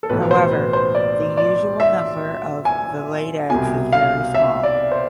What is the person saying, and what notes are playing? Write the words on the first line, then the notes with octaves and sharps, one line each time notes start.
However the usual number of the laid eggs is very small.
A4
B1 A2 E3 B4
C5
B4
C5
D5
D5
E5
G#5
C2 B2 G#5
F5
E5
D5
C5